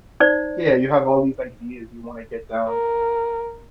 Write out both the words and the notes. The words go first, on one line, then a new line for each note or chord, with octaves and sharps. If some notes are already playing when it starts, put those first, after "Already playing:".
Yeah, you have all these ideas you wanna get down.
D#4 C5 D5
A#4